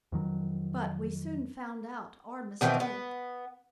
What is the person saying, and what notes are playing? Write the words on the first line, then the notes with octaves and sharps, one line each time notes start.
But we soon found out our mistake.
F2 D#3 F#3
B2 D#3 E3 C4
B3